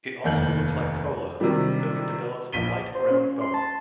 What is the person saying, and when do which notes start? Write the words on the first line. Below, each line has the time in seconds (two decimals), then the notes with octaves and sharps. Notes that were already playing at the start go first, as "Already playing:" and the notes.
It almost looks like cola, though it develops a light brown foam.
0.24 F1 D#2 G6 F#7
1.40 C3 D#3 F#3 G3 D4
2.52 A#1 B6 D#7 G7
2.94 C5
3.11 C#4
3.41 C6
3.54 A5